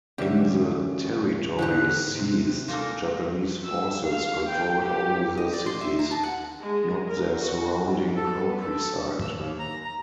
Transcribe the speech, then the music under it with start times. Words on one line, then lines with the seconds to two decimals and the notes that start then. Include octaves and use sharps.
In the territories seized, Japanese forces controlled only the cities, not their surrounding countryside.
0.18 D2 E3 G3 C#4 G4 E5
1.59 G#2 D3 D#4 G4 F#6
2.17 C3 C4
2.68 A#2 A#3 A4
3.64 E6
4.04 F5
4.48 G5
4.82 G4
5.37 D#5
5.53 D5
5.66 C6
5.81 E5
5.99 A#5
6.11 A5
6.23 F#5
6.60 G#3
7.07 A#4
7.41 F#4
7.84 G#2
8.16 A4
8.48 B3
8.60 A4
9.21 E6
9.35 D#2
9.59 A#5
9.85 A#5